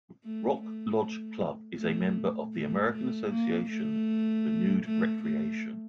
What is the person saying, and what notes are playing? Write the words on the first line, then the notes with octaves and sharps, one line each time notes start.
Rock Lodge Club is a member of the American Association for Nude Recreation.
A3
A3
A3
A3
A3
A#3
A3
A3
A3